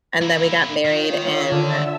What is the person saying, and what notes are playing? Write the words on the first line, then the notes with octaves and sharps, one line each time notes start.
and then we got married in
A#3 E4
D#3 F4 C#5
D3 E5 A5 E6